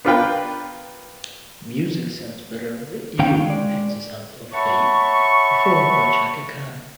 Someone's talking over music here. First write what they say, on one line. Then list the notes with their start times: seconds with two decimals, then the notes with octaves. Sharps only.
"Music Sounds Better with You" contains a sample of "Fate" performed by Chaka Khan.
0.05 B3 D4 F4 A#4 B4 G5
3.19 D3 D#3 C#4 F5 G5
3.46 G#3 D5
4.52 C#5 E5 F#5 A5 B5 C#6